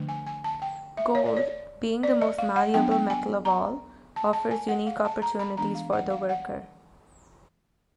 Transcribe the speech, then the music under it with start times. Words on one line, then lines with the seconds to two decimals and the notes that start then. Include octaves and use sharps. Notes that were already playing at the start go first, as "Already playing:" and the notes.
Gold, being the most malleable metal of all, offers unique opportunities for the worker.
Already playing: D3 F3 A3 D4
0.09 G#5
0.26 G#5
0.44 A5
0.62 G5
0.97 E5
1.15 C#5
1.26 D5
1.37 C#5
2.03 D5
2.21 D#5
2.38 F5
2.56 F#5
2.74 F#3 B3 D4 G5
2.91 G5
3.10 G#5
3.45 A#5
4.16 A5
4.33 A5
4.51 G#5
4.69 F#5
4.87 F5
5.05 A5
5.22 A#5
5.39 B5
5.57 E3 G#3 B3 D4 A#5
5.75 F5
5.93 F#5
6.10 F5
6.29 F#5